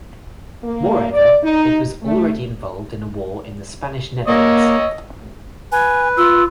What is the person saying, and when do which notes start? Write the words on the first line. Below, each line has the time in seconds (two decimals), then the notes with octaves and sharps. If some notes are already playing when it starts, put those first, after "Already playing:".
Moreover, it was already involved in a war in the Spanish Netherlands.
0.64 A#3
1.13 D5
1.44 D#4
2.03 A3
4.27 A#3 C#5 D#5 E6
5.72 B4 G#5
6.17 F4 E6